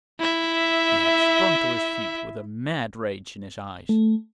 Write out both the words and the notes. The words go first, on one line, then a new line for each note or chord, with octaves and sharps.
He had sprung to his feet with a mad rage in his eyes.
E4 E5
A3